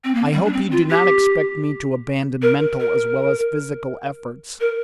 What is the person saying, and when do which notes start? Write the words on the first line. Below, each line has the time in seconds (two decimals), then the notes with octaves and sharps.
I hope you do not expect me to abandon mental as well as physical effort.
0.04 C4
0.15 A#3
0.33 G3
0.45 D4
0.53 C4
0.72 F4
0.90 G4
2.42 A#4
2.80 A#4
4.60 A#4